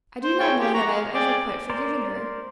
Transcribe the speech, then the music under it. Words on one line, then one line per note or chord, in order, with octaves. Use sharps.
I do not know that I have ever quite forgiven her.
C5
G#4 C#5 G5
F4 G4 G#4
F#5 A#5 C#6
F5
G#4 D5 G5
A#4 C5 D5